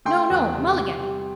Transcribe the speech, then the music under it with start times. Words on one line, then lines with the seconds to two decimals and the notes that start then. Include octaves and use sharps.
No, no, Mulligan!
0.05 A3 G5 C6
0.30 E2
0.54 C3
0.77 C3
1.00 G3